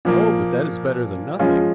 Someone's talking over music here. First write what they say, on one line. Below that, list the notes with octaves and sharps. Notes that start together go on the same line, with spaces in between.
Oh! but that is better than nothing....
A#2 F3 A#3
F3 G#3 C#4 F4